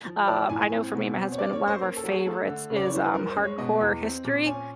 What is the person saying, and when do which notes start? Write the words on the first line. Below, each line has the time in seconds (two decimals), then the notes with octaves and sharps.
Um, I know for me and my husband, one of our favorites is, um, Hardcore History,
0.06 F3
0.28 F3 D5
0.50 A2 G#5
0.72 C4
0.94 B2
1.16 C4
1.32 C#5
1.38 A#3 D5
1.53 C#5
1.60 C#4
1.68 C5
1.82 A#3 A#4
1.97 A4
2.04 F#3
2.12 G#4
2.26 A3 A4
2.48 D3
2.70 C#3
2.76 D5
2.85 C#5
2.92 E3 C5
3.04 B4
3.14 G2 A#4
3.29 C5
3.36 G#3
3.43 C#5
3.58 B2 D#5
3.80 E2
4.02 C4
4.25 A#2
4.46 C#4 G#5